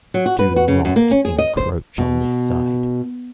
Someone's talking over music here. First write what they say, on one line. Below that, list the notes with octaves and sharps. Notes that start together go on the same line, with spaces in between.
Do not encroach on this side.
F#3
F#4
B4
F#4
C#3
F#2
A#3
C#4
G#4
D#5
C5
B2